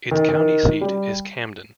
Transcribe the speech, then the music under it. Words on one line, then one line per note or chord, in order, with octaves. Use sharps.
Its county seat is Camden.
D#3
D#3
G3